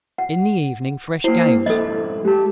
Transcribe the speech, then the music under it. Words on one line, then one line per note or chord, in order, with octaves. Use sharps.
In the evening fresh gales.
F#5
A#3 E4 C5
F2 G#2 E4 A4 D#5
G#3 G4 A5